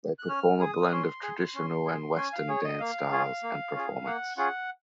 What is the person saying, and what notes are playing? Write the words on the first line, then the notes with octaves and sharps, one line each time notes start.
They perform a blend of traditional and Western dance styles and performance.
F#6
C#4 F6
G#4 D#6
C#4 C6
G#4
C#4
G#4
C#4 G#5
F5
G#4 C#5
D#5
A#3 F5
C#4 F4 G#4
A#3
C#4 F4 G#4
A#3 F#5
C#4 F4 G#4 F#5